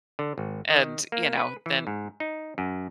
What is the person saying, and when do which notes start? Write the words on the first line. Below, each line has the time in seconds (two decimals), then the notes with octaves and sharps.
and, you know, then
0.19 D3
0.38 G#1
0.70 D#3
1.12 A#3
1.37 B4
1.66 E3
1.87 G#2
2.20 D#4
2.58 F#2